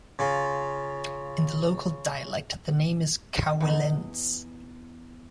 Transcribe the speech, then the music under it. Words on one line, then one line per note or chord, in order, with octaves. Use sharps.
In the local dialect the name is Kowelenz.
C#3 F4
E2 D#4